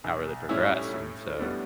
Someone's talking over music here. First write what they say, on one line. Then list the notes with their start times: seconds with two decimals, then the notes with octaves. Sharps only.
not really progress, and so,
0.04 B1
0.49 A2 G3 C#4 E4
0.94 A2
1.39 G3 B3 D4